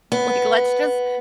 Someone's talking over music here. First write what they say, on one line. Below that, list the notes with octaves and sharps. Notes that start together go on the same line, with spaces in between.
like, let's just
B3